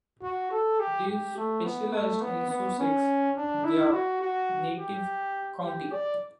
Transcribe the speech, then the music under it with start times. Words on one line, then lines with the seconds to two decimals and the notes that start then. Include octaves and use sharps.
They specialised in Sussex, their native county.
0.22 F#4
0.51 A4
0.80 G4
1.08 G4
1.37 A3
1.65 B3
1.93 A3
2.21 B3
2.50 B3
2.79 C#4
3.36 D4
3.64 E4
3.93 F#4
4.22 F#4
4.79 G4
5.64 G4
5.92 D5